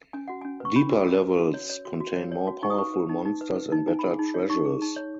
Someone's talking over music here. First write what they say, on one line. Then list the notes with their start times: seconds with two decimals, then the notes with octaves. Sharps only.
Deeper levels contain more powerful monsters and better treasures.
0.13 C#4 G#5
0.28 F#4 F#5
0.41 C#4 G#5
0.60 B4 C#6
0.76 C#4 B5
0.92 F#4
1.07 C#4
1.23 B4
1.38 F#4
1.54 C#5
1.70 C#5
1.85 F#4
2.00 F#4
2.16 C#5
2.32 C#5
2.47 F#4
2.63 D#4 C#6
2.70 D#6
2.78 B4 C#6
2.94 B4
3.09 D#4
3.25 D#4
3.41 B4
3.56 B4
3.72 D#4
3.88 D#4 G#5
3.99 G#4 B5
4.11 G#5
4.19 D#4
4.34 C#5
4.50 D#4 C#6
4.65 G#4
4.82 D#4
4.96 C#5